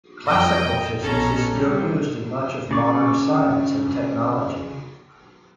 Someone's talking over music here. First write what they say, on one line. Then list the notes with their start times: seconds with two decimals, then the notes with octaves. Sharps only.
Classical physics is still used in much of modern science and technology.
0.25 F2 D#5 G5
1.02 A#1 B2 C#4 A4 A#5
1.50 C3 G3
2.71 C#3 D5 C#6